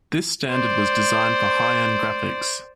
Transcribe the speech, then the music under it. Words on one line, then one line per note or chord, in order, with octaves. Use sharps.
This standard was designed for high-end graphics.
C5 D5